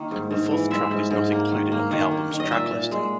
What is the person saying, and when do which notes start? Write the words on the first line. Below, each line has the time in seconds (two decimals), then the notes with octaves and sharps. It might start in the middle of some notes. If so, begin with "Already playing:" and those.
The fourth track is not included on the album's track listing.
Already playing: D#3 A#3
0.11 G#2
0.31 G#2
0.51 E3
0.70 G#3 E5
0.91 G#2
1.11 G#2
1.32 A#3
1.51 D#3
1.72 A#3
1.91 D#3
2.11 A#3
2.31 D#3
2.40 D#5
2.51 A#2 E5
2.71 A#2
2.91 G#3